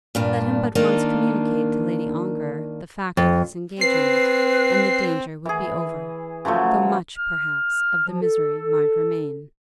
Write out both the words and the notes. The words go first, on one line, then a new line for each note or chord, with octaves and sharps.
Let him but once communicate to Lady Ongar the fact of his engagement, and the danger would be over, though much, perhaps, of the misery might remain.
G2 A#2 D4
D#3 A#3 D4 F4
F2
C4 B4 C7
E3 G#4
C#3 F3 F#3 A3
F6
F3
A4